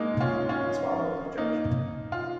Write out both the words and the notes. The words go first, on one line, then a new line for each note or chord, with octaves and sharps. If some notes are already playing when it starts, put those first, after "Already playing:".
His father was a judge.
Already playing: G#3 A#3 D#4
C#4 F4
C#4 F4
A#3 D#4
F4